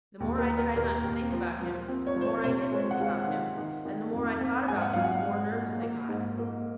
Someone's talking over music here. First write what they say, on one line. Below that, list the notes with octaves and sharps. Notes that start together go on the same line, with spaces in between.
The more I tried not to think about him, the more I did think about him, and the more I thought about him, the more nervous I got.
D#2
A#4
D#2
A#4
D#2 A#4
D#2
F3
F3
C4
C#5
F3 C5
C#5
C3 C5
G#3 C#5
F#5
G#3 F5
D#3
D#3
D#3
F2
C4
G#2 G#5
F#5
F#3 F5
F#5
G#2
A#3
A#3
G#2
A#3